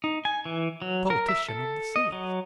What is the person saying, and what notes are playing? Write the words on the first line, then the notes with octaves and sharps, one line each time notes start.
A politician of the seas.
D#4
G#5
E3
F#3
A#4
E5
A4
D#5
F#3